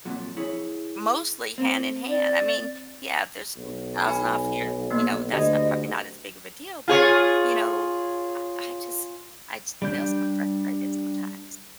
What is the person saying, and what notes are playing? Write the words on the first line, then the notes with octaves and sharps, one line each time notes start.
mostly hand in hand. I mean, yeah, there's a thousand off here, you know, that's not probably not as big of a deal, but you know, I I just I just feel so frustrated sometimes.
F2 A#2 F#3
E4 G#4 C#5
C4
D5
B1
D#4 G#5 B5
A#3 B3
D2 G4 D#5
F4 G#4 C#5
G3 D4 G6